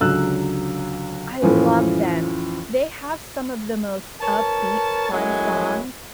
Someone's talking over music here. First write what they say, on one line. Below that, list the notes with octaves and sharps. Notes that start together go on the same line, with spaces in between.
I love them. They have some of the most upbeat fun songs,
C#2 D3 F#3 E6 F#6
F2 A2 E3 F3 C#4
A#4 B4 C#5 A5
F#2 A2 F#3 G#3 E4 G#5